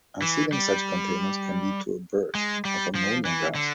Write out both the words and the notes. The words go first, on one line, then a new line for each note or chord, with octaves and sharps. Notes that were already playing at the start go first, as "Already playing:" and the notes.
Unsealing such containers can lead to a burst of ammonia gas.
E3
G3
G#3
G3
F3
E3
D3